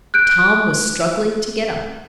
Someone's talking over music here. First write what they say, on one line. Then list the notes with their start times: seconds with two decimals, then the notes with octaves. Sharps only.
Tom was struggling to get up.
0.14 F#6 G6 D7